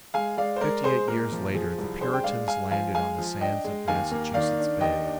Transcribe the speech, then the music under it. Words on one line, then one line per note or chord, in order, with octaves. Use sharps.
Fifty-eight years later the Puritans landed on the sands of Massachusetts Bay.
G#3 F5 G#5
G#3 D5 F5
C5
G#3 A#4 D5
G#3 G#4 C5
A#2 A#4
F3
F3 G#4
C2
D4 G#4 C5
G5
G#3 D5 F5
G#3 F5 G#5
F3 F5 G#5
G#3 F5 G#5
F3
D4 D#5 G5
G#3
D#2 F5 G#5
A#3
D#3 D5 F5
D4
D#2 D#5 G5
D4